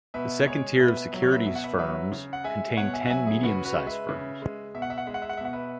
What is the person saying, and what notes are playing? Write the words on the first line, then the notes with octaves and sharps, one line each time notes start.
The second tier of securities firms contained ten medium-sized firms.
B2 B4 E5
G#3 G#4 C#5
B2 B4 E5
F#3 E5
C#5
B4 E5
B2 E5
F#5
B4 E5
F#3 B4 E5
C#3
F#5
G#3 E5 G#5
B2 C#5 F#5
E5 G#5
F#5
F#3 E5 G#5
E4 G#4
C#3 F#4 B4
F#4 B4
G#3
B4 E5
C#3
G#3
B2 E5
F#5
E5
F#5
G#3 E5
F#5
E5
F#5
E5
B2 F#5
B4 E5